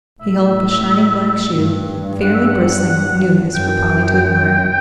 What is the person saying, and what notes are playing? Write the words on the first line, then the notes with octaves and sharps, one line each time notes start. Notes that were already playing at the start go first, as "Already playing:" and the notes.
He held up a shining black shoe, fairly bristling with newness, for Polly to admire.
A2 E5
G2
F#5
E5
F#5
F#2 G5